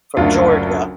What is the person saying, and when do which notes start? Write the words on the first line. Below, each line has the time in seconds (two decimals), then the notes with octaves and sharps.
from Georgia.
0.17 F#1 D2 F4